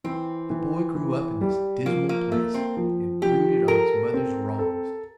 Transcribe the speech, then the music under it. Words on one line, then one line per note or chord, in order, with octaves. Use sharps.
The boy grew up in this dismal place and brooded on his mother's wrongs.
E3 C4
E3
E3
G3
F3 A#3
A#3
A3 A#3
C4
F3
F3 G4
A4 A#4
C4
A4